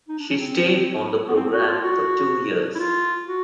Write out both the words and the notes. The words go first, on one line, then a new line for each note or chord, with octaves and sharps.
She stayed on the programme for two years.
D#4
D4
C#4
C4
B3
C4
F#4
F4
F#4
E4
F4
F#4